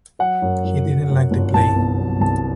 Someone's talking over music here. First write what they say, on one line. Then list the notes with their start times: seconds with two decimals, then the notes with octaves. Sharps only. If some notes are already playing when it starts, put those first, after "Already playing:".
He didn't like the play.
0.19 F#3 F#5
0.42 F#2
0.65 F#2
0.86 F#2
1.09 F#2
1.31 G1
1.54 C2 A5
1.76 B3
1.98 F#3
2.21 C2 A5